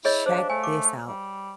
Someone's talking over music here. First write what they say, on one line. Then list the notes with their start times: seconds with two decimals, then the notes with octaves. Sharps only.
Check this out.
0.05 E4 G#4 C#5 D#5
0.26 D4 C5 F5
0.50 A3 G#5
0.64 D6
1.08 G3